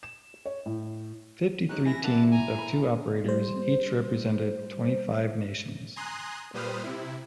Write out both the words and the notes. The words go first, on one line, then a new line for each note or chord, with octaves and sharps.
Fifty-three teams of two operators each represented twenty-five nations.
E7
C#5
A2
C3 D#3 F#3 G#3 C#4 F#6
E3 E4 G#5 A#6
D3 F#3 A#3 F#5 A5
G#5 A#5
A#2 B5
G3 C5
G#5 A#5 C6 D#6 F#6
A#2 G3 B4 C5 D#6 F6
C3 E4